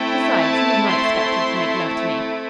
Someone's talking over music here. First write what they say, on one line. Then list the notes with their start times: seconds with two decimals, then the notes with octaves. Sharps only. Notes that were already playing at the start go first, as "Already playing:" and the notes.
Besides, he is not expected to make love to me.
Already playing: A3 C4 E4 G5
0.41 A5
0.88 C6